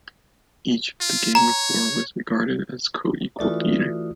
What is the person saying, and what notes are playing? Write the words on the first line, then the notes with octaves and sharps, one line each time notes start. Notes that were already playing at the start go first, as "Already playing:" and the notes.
Each of the Gang of Four was regarded as coequal leader.
F4
C#5 A#5
E3 A3 F4 F#4 D5 D#6